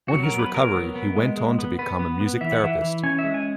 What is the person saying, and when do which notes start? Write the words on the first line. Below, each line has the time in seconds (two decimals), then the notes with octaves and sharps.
On his recovery he went on to become a music therapist.
0.08 F#3 F#4
0.23 A#4
0.34 B3
0.39 B4
0.54 F#3 A#4
0.75 B3
0.96 B3
1.16 G#3
1.37 G#3
1.59 B3
1.79 B3 B4
1.99 B3
2.20 B3
2.41 E3 E5
2.52 F#5
2.61 E3 E5
2.82 E3
3.03 C#4 G#5
3.19 E5
3.24 G#3
3.34 G#5